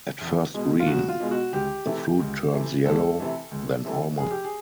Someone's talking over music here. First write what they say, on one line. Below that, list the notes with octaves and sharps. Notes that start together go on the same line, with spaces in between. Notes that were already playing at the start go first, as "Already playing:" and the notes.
At first green, the fruit turns yellow then almost white as it ripens.
E2
B2 G#3
F4
E2 F#4
F4
B2 G#3
F#4
C#2 G4
C3 E3 A3
C#2
C3 E3 A3
C#2 A4
C3 E3 A3
C#2
C3 E3 A3
F1 G#4
G4
G#4